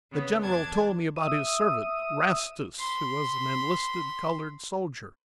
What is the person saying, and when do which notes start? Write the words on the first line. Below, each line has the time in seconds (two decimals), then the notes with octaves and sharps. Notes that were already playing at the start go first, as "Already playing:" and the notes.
The general told me about his servant, "Rastus," who was an enlisted colored soldier.
0.11 C#3 B3
0.41 E2 D4 A5 G#6
1.16 E5 D#6
2.78 B5 C6